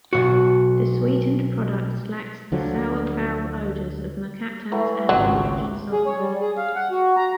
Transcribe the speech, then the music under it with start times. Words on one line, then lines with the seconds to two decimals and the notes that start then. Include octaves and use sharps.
The sweetened products lacks the sour, foul odors of mercaptans and hydrogen sulfide.
0.13 B1 G#2 F#4
2.52 D2 D3 F3 F#3
4.72 E3 F#3 A3
5.09 G#1 C#2 C#3 F#3 F#4 G4 C6
5.92 G#4
6.06 C#5
6.18 G3
6.41 G#4
6.57 F5
6.76 F#5
6.91 F#4
7.16 A#5